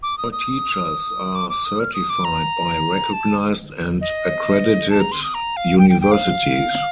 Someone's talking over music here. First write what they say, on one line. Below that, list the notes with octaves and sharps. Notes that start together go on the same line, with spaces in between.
All teachers are certified by recognized and accredited universities.
D6
D#6
D#6
D6
D6
D#6
F6
D#6
D6
A#5
A5
D#5
A5
A#5
C6
D#6
A#5
F5
G5
G5
G5
F5